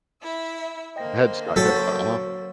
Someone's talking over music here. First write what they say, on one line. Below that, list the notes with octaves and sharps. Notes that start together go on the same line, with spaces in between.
Headstock Headstock, uh-huh.
E4 E5
D3 A#3 C5 D#5 G5 A#6
F#3 F#4 A4 C#5 G5 E6 B6